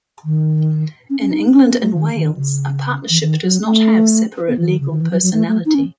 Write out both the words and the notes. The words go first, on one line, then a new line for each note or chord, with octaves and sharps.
In England and Wales, a partnership does not have separate legal personality.
D#3
C#4
C#4
D#4
B3
A3
D#3
D#3
C#3
E3
D#3
F#3
A3
B3
E3
D#3
C#3
D#3
E3
F#3
F#3
A3
A3
D#4
C#4